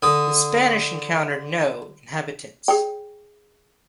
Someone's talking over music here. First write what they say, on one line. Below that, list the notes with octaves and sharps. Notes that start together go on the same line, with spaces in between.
The Spanish encountered no inhabitants.
D3 D#6
G#4 C#5 G5